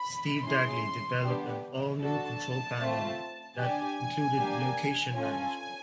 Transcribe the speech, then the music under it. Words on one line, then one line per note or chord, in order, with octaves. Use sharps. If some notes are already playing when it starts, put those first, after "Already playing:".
Steve Dagley developed an all-new control panel that included location management.
Already playing: B5
C#4 E4 G#4 C6
B3 D4 G4
D4 F#4 A4 A5
A3 C4 F4
D4 G4 G#5
A#3 D4 G4
C#4 F4 A4 G#5